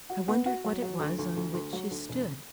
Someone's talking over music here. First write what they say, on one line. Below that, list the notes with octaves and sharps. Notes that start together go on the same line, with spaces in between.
I wondered what it was on which she stood.
F#4
B3
F#4
F#3
F#3
D2
D2
D2
D2
F#3
D2
E1